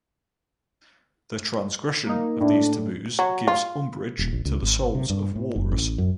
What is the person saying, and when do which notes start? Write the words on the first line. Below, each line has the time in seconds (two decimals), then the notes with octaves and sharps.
The transgression of these taboos gives umbrage to the souls of walrus.
2.06 A#3 D#4
2.40 A2 D4
3.19 F#3
3.47 F4
4.19 D#1
4.33 A#1
4.45 C#2
4.63 G#1
4.95 C3
5.10 G2
5.36 A2
5.56 F#1
5.72 A1
5.98 F#2